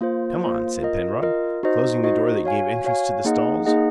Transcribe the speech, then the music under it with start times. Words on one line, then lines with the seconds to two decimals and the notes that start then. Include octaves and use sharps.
"Come on," said Penrod, closing the door that gave entrance to the stalls.
0.01 A#3 F4 C5
0.41 A#3 F4 C5
0.82 F4 A#4 D#5
1.22 F4 A#4 D#5
1.63 D#4 F#4 C5 D#5
2.03 D#4 F#4 C5 D#5
2.44 F#4 C#5 F5 G#5
2.84 F#4 C#5 F5 G#5
3.25 A#3 D#4 G#4 D#5 F#5
3.65 A#3 D#4 G#4 D#5 F#5